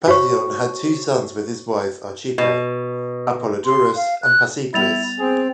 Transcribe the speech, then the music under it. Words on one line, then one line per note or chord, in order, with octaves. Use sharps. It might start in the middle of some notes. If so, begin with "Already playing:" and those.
Pasion had two sons with his wife Archippe: Apollodorus and Pasikles.
F#4 C5 C#5 C#6
B2
C6
F5
F#6
G3 B3 E4 A6 F7
C4 G#4